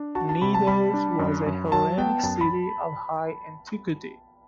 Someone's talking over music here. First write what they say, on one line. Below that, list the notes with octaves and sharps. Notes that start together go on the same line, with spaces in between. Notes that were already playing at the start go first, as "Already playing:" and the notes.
Knidos was a Hellenic city of high antiquity.
Already playing: D4
F#4 A5
A5
C3 B5
A5
G3 B5
D4
F#2
F#2
F#3 A5
B3 G5
F#2 A5
B5